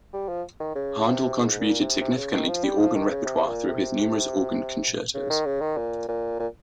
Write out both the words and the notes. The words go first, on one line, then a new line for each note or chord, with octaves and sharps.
Handel contributed significantly to the organ repertoire through his numerous organ concertos.
G3
F3
D#3
C#3
C3
G#2
G#2
A#2
C3
C3
C#3
D#3
F3
G3
F3
D#3
C#3
C3
A#2
C3
C#3
D#3
C#3
D#3
A#2
A#2
A#2